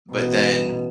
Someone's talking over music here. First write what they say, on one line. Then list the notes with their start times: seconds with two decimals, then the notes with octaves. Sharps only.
but then
0.12 A1 B2